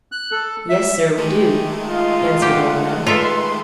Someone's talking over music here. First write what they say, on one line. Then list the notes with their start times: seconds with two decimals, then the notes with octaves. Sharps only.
"Yes, sir, we do," answered Old Matt.
0.12 F#6
0.31 A4
0.69 E5
1.18 D#3 G#3 A3 G4
1.89 F4 D#5
2.42 G4 F#5
3.07 F4 A4 B4 E5 C6